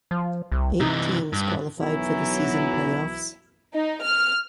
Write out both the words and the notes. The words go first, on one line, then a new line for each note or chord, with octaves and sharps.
Eight teams qualified for the season playoffs.
F3
C2
C3 E3 D#4
G2
B1 E3 F#3 E4
D#4
F6